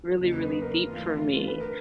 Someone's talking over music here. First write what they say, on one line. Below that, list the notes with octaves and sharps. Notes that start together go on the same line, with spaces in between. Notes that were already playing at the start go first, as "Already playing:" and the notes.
really, really deep for me.
E2 C#3 F#3 A#3 D#4
B4
A#4
G2 E3 A3 C4 F4
D2 D3 B4
A#4